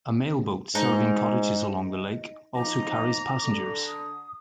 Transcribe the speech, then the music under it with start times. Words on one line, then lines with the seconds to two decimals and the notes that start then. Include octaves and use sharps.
A mailboat serving cottages along the lake also carries passengers.
0.75 G#2 D#4
2.55 F3 D#4 A#5 D6
3.44 D3
3.87 D#6